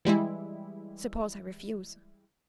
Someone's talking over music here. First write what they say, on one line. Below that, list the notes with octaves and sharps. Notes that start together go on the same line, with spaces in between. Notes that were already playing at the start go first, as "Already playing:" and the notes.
"Suppose I refuse?"
E3 G3 G#3 E4